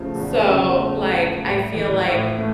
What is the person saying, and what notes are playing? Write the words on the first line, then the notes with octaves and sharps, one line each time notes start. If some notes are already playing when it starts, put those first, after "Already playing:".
so, like, I feel like
Already playing: C#3 F3 A3
E2
C#3
A3
F3
A2
E3
A2
A3